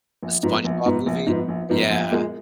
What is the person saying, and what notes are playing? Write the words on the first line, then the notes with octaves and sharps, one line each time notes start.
The SpongeBob movie? Yeah.
A#1
G#2 F3 B3
A#1
G#2 F3 B3
A#1
G#2 F3 B3
A#1
G#2 F3 B3
A#1
A#2 G#3